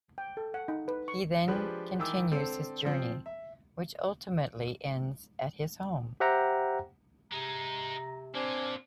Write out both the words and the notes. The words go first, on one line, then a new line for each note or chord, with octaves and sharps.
He then continues his journey, which ultimately ends at his home.
G5
A4
F#5
D#4
B4
C#6
F3 G#3 D4 G4 B4
D#3 E3 D6 E6
D3 C4 A4
F3 C4
E5
G4 C5 E5 F#5 G5 A#5
C3 G#3 D#4 A#5
A#3 C4 D4 F4 G#5